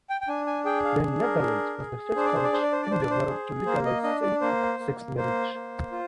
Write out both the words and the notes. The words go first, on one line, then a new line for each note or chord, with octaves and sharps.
The Netherlands was the first country in the world to legalize same-sex marriage.
G5
G5
D4 G#5
G#5
G#4 G5
F5
D4
A#4
G#4
G#4
D4 C5
D5
C5
D5
D4 C5
D5
C5
D5
D4 C5
D5
C5
G#4
A#3 C5
D#5
D4 D#5
D5
A#3 C5
A#3
A#3 C5
A#3
F4